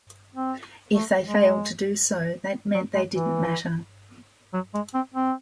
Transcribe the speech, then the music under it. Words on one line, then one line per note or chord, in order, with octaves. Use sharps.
If they failed to do so, that meant they didn't matter.
C4
A3
G#3
F#3
G#3
E3
F#3
G#3
C4
C4